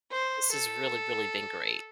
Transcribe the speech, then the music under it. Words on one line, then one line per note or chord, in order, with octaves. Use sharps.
this has really, really been great.
C5
A4